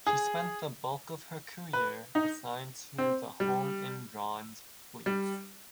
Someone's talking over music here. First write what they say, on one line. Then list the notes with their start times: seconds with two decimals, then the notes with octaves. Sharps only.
She spent the bulk of her career assigned to the Home and Grand Fleets.
0.07 G#4
1.73 B4
2.15 D#4
2.98 C4
3.40 G3
5.06 G3